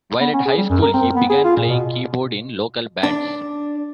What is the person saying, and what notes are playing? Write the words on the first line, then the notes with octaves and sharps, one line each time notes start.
While at high school he began playing keyboard in local bands.
B3
C#4
G#4
G3
F#2
A#4
C4
B3
G#4
F4
A#2
B2
D4